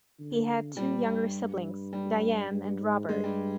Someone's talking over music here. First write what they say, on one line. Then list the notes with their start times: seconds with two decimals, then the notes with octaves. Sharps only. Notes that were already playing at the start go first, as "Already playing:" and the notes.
He had two younger siblings: Diane and Robert.
0.19 D3
0.76 A#2 G3
1.06 G2
1.93 G3
2.51 G2
2.81 G#2
3.09 G2 G#3
3.24 G3